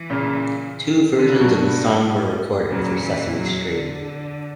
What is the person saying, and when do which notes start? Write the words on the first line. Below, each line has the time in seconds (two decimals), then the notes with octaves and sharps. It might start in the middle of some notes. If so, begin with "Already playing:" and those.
Two versions of the song were recorded for "Sesame Street".
Already playing: E3
0.10 A#2 C#3
1.19 D3
1.30 C#3
1.41 G2 B2 F#3
1.73 G3
2.70 A#2 C#3 F#3
3.04 E3
3.36 F#3
3.68 D3